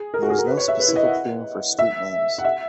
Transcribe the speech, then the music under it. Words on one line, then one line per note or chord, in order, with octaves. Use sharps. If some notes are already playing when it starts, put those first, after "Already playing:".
There is no specific theme for street names.
Already playing: G#4
A#4
F#4
G#4
A#4
B4
C#5
E5
B4
E4
D#5
F#5
E5
F#5
E5